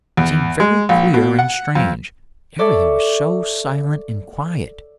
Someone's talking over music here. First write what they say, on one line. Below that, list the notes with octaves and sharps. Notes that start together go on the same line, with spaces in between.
It seemed very queer and strange, everything was so silent and quiet.
E2
G#3
A#1
B2
F#5
F2
A4 C#5 D5 E5 A5